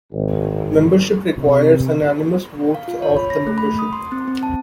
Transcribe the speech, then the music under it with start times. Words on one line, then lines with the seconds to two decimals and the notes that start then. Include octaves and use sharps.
Membership requires unanimous votes of the membership.
0.13 G#1
1.39 C3
2.74 F5
2.88 F4
3.02 C#5
3.17 B5
3.30 A#6
3.47 A3
3.58 B5
3.79 D#6
3.93 C6
4.12 C4
4.28 C4
4.43 A5